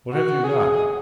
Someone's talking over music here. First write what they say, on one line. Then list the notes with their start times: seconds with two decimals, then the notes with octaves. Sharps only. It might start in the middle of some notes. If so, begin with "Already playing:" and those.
"What have you got!"
0.13 F#4
0.44 G#4